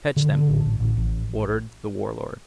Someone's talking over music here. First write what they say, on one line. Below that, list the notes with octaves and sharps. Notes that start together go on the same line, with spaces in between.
"Fetch them," ordered The Warlord.
D3
D3
A1
A1
A1
A1